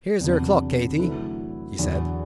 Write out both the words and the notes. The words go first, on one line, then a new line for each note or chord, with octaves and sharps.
"Here's your clock, Katy," he said.
E2 C3 F#3 B3 D4
D3 F#3 A3 E4 B4
E2 D3 F#3